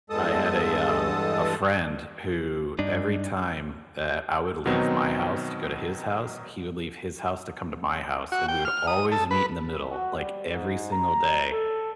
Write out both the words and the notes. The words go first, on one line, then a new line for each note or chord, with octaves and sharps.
I had a, um, a friend who every time that I would leave my house to go to his house, he would leave his house to come to my house, and we would always meet in the middle, like, every single day.
E2 G2 G#3 A4 A5 D#6
G2 D4 D#4
B2 D#3 F#3 B3 C4 D#4
F#4
G5
F6
D#6
A4
B4
F#4
G3
G#2
A#5
A4